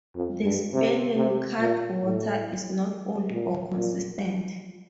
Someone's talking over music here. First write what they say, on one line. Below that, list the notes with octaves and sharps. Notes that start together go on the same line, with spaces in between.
The spelling 'Cattewater' is not old or consistent.
F2
G2
C3
C3
A#2
A2
A#2
A#2